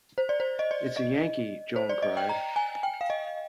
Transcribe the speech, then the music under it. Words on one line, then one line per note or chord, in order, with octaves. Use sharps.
It's a Yankee, Joan cried.
C5
D5
C5
D#5
D5
D#5
C5
D5
D#5
G5
A#5
G#5
G5
F5
D#5